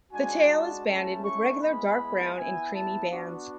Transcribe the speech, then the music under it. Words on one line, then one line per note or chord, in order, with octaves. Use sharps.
The tail is banded with regular dark brown and creamy bands.
G#3 D4 F#4 G#5
A5
A3 C#4 E4 A5
C#6
G#3 B3 E4 B5
B3 E4 G#5
A5
B3 D4 F#4